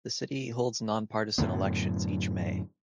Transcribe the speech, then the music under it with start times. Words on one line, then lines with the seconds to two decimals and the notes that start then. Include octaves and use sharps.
The city holds nonpartisan elections each May.
1.38 F#2 A2 D3 B3